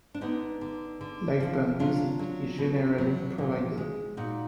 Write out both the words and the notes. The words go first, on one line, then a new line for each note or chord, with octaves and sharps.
Live band music is generally provided.
D4
D3 B3 D#4
D3
D3
F3
F#3 D4 F4
F#3
B2
F#3
A#2
G#3
A#2 D#4 F#4